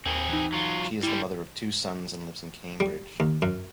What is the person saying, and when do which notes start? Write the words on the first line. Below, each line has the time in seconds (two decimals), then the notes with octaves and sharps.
She is the mother of two sons and lives in Cambridge.
0.06 D#2 C4 G#4
0.29 E3 D#4
0.53 F#3 F4
1.03 D3 G3 E4 C7
2.80 G3
3.20 D#2
3.42 F#2